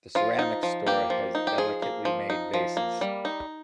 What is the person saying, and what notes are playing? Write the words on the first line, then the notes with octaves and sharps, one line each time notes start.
The ceramics store had delicately made vases.
F3 F4
D#4
F3
A#3 G4
F3
D#4
G4
F3 G#4
A#3
F3
D#4
F3
A#3
G3
D#4